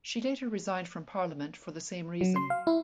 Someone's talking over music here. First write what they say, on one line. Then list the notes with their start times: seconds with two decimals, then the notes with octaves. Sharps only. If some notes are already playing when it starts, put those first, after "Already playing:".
She later resigned from Parliament for the same reason.
2.21 F#3
2.36 C6
2.50 F5
2.67 E4